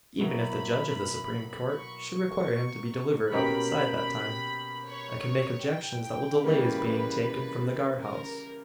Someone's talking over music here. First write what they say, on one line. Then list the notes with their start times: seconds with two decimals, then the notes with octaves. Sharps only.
Even if the judge of the Supreme Court should require him to be delivered up inside that time, I can make objections that will delay his being taken from the guard-house.
0.19 B2 F#3 A#3 E4 B5
1.76 C#6
3.32 B2 A#3 C#4 G4 A#4 B5
4.88 C#5
5.66 G5
6.44 C#3 E3 G3 A#3 B4
8.01 A#4